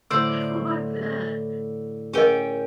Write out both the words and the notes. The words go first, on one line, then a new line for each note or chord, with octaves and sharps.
I want that.
A2 D3 C5 D5 E6
C#4 G#4 A#4 D#5 G5